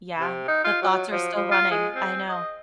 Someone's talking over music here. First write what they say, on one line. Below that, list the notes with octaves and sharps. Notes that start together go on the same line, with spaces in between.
Yeah, the thoughts are still running. I know.
C3
D#4
F4
F#3
F3
F3
F4
G#3
C4
D#5